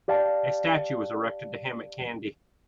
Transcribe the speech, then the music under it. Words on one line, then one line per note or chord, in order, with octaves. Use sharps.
A statue was erected to him at Kandy.
G4 D5 F5 G5 A5